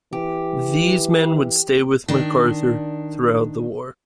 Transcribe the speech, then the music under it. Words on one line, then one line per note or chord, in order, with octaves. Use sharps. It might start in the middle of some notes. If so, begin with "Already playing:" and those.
These men would stay with MacArthur throughout the war.
E3 G4
D#3 D4